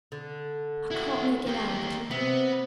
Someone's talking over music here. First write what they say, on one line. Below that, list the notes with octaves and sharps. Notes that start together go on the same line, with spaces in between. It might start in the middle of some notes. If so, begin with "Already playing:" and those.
I can't make it out.
D3
E4 F#4
A#3 G4
C3 B3